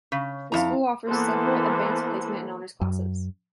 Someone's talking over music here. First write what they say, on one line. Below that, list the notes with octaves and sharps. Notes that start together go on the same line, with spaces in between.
The school offers several Advanced Placement and Honors classes.
C#3
F2 E4 F5 A#5
E3 A#3 B3 A4 B4 C5
F#2